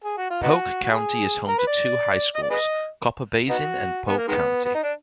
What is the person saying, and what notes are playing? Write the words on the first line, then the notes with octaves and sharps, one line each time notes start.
Polk County is home to two high schools, Copper Basin and Polk County.
G#4
F#4
F4
B3 D#4 F#4
F#4
G#4
A#4
B4
D5
D#5
D5
G#4 B4 D#5
B3 D#4 F#4
B3
A#3
D#3 G#3 B3
B3
D#4
D4